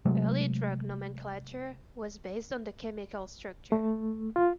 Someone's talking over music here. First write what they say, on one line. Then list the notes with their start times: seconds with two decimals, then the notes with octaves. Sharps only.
Early drug nomenclature was based on the chemical structure.
0.05 C3 F#3 G#3 A3
3.72 A3
4.36 F4